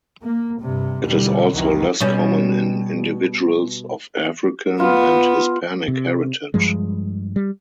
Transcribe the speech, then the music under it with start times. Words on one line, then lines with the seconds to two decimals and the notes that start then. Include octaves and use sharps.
It is also less common in individuals of African, and Hispanic heritage.
0.23 A#3
0.61 G2 C3
1.04 E2 B2 D3 G3
1.53 C2 F2 D#3 E3 F#3
2.00 B2 G3 C#4
4.80 B3 F4
5.88 C3
6.54 G2 F3 G#3
7.36 G3